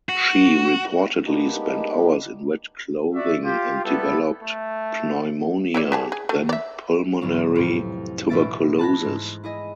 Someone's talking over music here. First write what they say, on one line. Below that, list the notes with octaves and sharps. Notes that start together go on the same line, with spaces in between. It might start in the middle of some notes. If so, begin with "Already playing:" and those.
She reportedly spent hours in wet clothing and developed pneumonia, then pulmonary tuberculosis.
F#4
G#3 A#3 B3 D4 D#4 G4
F#4 D5 E5
F4 G4
G3 B3 E4 A4
A3
E4 C#5 D5
G4 G#4 A5
G#4
A3
D5 E5
A1 D2 G#2 D3 F#3
F2 A2 C3
A1 B2 E5 A6 D7
A5 B5 F#6 G#6 A#6
G#2
E4 G#4 D#5